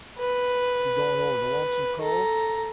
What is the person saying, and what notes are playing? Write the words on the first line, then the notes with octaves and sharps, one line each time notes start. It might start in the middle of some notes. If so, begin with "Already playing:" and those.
"You goin' over to Lonesome Cove?"
B4
A4 A#5